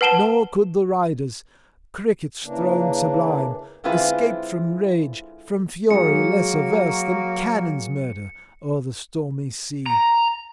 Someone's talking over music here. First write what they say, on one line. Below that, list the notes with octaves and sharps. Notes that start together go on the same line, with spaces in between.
Nor could the riders, crickets throned sublime, escape from rage, from fury less averse than cannons murder o'er the stormy sea.
B4 F#5 A5 E7 G7
C#3 E3 A#3 D4
D3 G#3 C4 E4 F4 B4
F#3 G#3 A#3 C#7
A#5